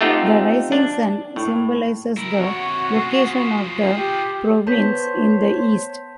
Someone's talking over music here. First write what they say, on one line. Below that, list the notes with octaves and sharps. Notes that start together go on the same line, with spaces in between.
The rising sun symbolizes the location of the province in the east.
A3 C4 D#4 F4 G4 F#5
D4
A2
E4 A#4
C3 F#4 C#5
F4 G#4
G4
B3 C5 C#5 A5 G6 B6